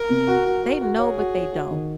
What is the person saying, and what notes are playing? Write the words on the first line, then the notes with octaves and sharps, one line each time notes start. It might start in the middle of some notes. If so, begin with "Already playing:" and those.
they know, but they don't.
Already playing: A#4
C3
F#4
F#4
F#4
F#4
G#4 C#5
F#4
C#5
F#4
D#3